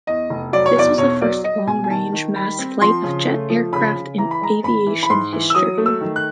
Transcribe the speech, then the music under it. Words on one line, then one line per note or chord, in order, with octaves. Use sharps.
This was the first long-range mass flight of jet aircraft in aviation history.
E2 D#5
F1
F#3 D5
C#5
E2 D5
B1 C#5
F#3 D5
F#3 D#5
B2 G#5
G#5
D#3 A5
D#3
G3 B5
C4
F3 C6
C#3
A3
F3
C#3 B5
C#3
E3 A#5
B5
G#3 A#5
G#1 B5
E3
B5
G#2 C6
E3
E6
F#3 D#6
A3
E6
D#3
F#6